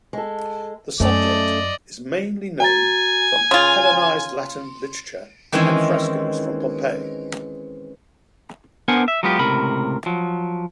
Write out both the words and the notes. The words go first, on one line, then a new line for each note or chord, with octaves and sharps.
The subject is mainly known from Hellenized Latin literature and frescoes from Pompeii.
G#3 A4
F#2 A3 C#4 D5 D#5
F#4 G#5 A#5 A6
C#3 F4 C6
D#3 E3 G#3 C4 C#4 E4
B3 D4 A#4 C5 F#5 G#5
E5
F#3 G#3 B3 F4 G4
C#2 A2 C3 A#4 B5
F3 F#3